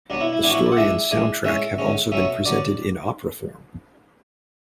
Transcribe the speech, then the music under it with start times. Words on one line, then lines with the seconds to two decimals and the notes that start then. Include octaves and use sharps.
The story and soundtrack have also been presented in opera form.
0.10 B2 F#3 B3 D4
0.21 E4
0.33 E4
0.43 A2 E3 B3 D4
0.50 F#4
0.55 E4
0.66 D5
0.72 F#5
0.77 E3 G#3 D4 E5
1.11 E3 G#3 D4
1.44 A2 G#3 C#4 E5
1.78 D3 G#3 C#4
2.12 B2 F#3 A3 C#4 E5
2.46 D3 F#3 D5